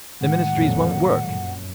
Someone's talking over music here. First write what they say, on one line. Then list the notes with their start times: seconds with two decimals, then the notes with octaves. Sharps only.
The Ministries won't work....
0.21 A2 D#3 G#3 F#5
0.54 F2 A#2 F#3
1.24 F#2